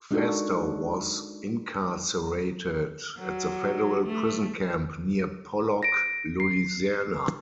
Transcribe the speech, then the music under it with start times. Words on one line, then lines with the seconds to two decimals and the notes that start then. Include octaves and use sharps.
Fastow was incarcerated at the Federal Prison Camp near Pollock, Louisiana.
0.11 G#3 D4 D#4 F#4 A4 A#4
3.17 F#3
4.06 A3
5.83 A#6 D7
6.40 C7